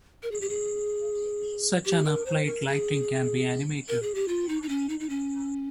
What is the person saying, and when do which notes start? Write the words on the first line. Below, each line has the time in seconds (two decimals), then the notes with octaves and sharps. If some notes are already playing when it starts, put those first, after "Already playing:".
Such an applied lighting can be animated.
0.23 A#4
0.31 G#4
0.41 G4
0.49 G#4
1.85 G4
2.05 A#4
2.26 C5
2.45 A#4
2.67 G#4
3.89 A#4
4.02 G#4
4.15 G4
4.28 F4
4.49 D#4
4.63 D#4
4.69 C#4
4.89 D#4
5.00 D#4
5.09 C#4